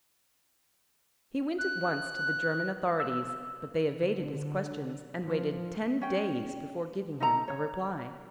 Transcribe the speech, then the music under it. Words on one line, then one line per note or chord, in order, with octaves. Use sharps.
He went at once to the German authorities, but they evaded his questions and waited ten days before giving him a reply.
F#6
E6
D3
F3
C#4 G5
D#4 A4 A#5
C#5